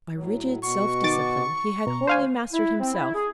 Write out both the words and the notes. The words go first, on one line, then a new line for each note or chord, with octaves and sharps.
By rigid self-discipline, he had wholly mastered himself.
A2 F#3
B2 F#4 C#6
D#3 D6 A6
B2 A#5
D2 C5 F5 G#5
E4
C4
E4
G#4